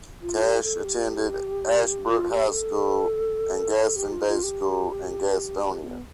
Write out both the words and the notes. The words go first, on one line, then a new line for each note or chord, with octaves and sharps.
Cash attended Ashbrook High School and Gaston Day School in Gastonia.
F4
G4
A4
G4
F4
G4
A4
G4
F4
F4
G4
B3